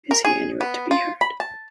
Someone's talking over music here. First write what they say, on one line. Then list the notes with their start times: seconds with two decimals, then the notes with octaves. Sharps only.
Is he anywhere to be heard?
0.11 A#4
0.25 G#4
0.61 B3
0.91 F4
1.21 B5
1.40 A5